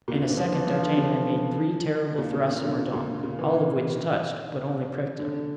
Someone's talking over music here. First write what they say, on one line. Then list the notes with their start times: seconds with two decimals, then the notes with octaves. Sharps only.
In a second D'Artagnan had made three terrible thrusts at Mordaunt, all of which touched, but only pricked him.
0.08 A#2
0.15 C#3
0.23 D3
0.30 E3
0.37 F3
0.52 E3
0.67 F3
0.82 D3
0.97 C#3
2.18 A#2
2.33 C#3
2.48 C#3
2.63 D3
2.78 C#3
2.93 A#2
3.23 C#3
3.39 E3
5.19 D3